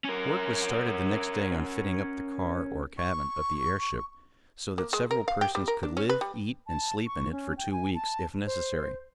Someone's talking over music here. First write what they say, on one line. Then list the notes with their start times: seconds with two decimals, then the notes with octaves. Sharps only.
Work was started the next day on fitting up the car, or cabin, of the airship, so that several persons could live, eat and sleep in it for two weeks, if necessary.
0.04 C#4 A#4
2.98 C#6
4.78 A#3
4.93 G#3
5.11 A#4
5.28 F5
5.41 G4
5.55 G3
5.68 A#4
5.83 D4
5.97 C#4
6.09 B4
6.21 G3
6.67 A5
7.07 C#6
7.32 C#4
7.57 G5
7.72 G#5
7.95 A5
8.46 C5